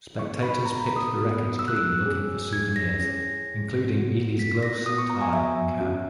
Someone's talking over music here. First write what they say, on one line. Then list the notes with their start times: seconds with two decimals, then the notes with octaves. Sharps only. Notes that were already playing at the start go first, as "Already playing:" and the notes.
Spectators picked the wreckage clean looking for souvenirs, including Ely's gloves, tie and cap.
0.19 B3 D#4 G#4 C#6
0.43 B5
0.66 A#5
0.81 B5
0.96 D#6
1.12 B3 F#4 D#6
1.59 E6
1.68 F#6
1.76 E6
2.06 C#4 G#4
2.53 G#6
2.76 A#6
2.99 C#4 E4 G#4 A#6
3.93 B3 F#4
4.39 B6
4.63 A#6
4.86 B3 F#4 D#6
4.98 C#6
5.10 A#5
5.21 G#5
5.33 E5
5.80 C#4 F#4